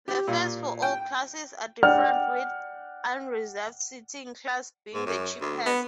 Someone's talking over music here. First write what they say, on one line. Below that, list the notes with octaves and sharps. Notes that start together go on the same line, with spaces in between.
The fares for all classes are different with unreserved seating class being the cheapest.
G4
A#2
G5
D5 F#5 G5 F6
G#2
F#2
D2
B3